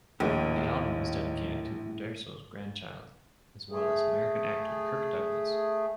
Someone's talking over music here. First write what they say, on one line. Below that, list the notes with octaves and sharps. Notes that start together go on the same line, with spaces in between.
The album was dedicated to Uderzo's grandchild, as well as American actor Kirk Douglas.
A#1 D#2 A2 F#4
A3 G#4